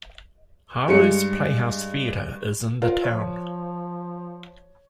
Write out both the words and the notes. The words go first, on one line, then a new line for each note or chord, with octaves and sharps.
Harlow's Playhouse Theatre is in the town.
G2 G#3 C#7
F4 A#4
F3 C#5